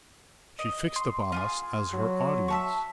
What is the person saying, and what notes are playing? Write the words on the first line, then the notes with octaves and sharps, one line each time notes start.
She fixed upon us as her audience.
D#5
C6
F4 G4 G#4
F#3
E5 A5 C#6